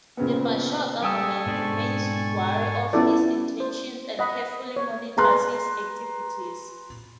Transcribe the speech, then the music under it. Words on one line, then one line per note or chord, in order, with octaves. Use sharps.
The Bashar government remains wary of his intentions and carefully monitors his activities.
A#2 C#3 B3 C4
G3 A4 G5 G#5 C#6 D#6 E6
G#2 B2 D4
B3 C#4 E4 F4 A4 D5
C5
D#5 F#5 B5
C#5
G#4 B4 A#5 C6 F#6